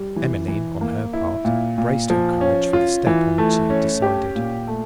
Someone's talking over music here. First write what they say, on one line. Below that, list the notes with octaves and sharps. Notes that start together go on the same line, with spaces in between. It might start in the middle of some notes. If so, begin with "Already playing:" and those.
Emmeline, on her part, braced her courage for the step on which she had decided.
Already playing: G3
E3
E3
A#3
E4
A#2
A#2
F3
C#4
F4
E3
A3
C#4
G4
A#2
A3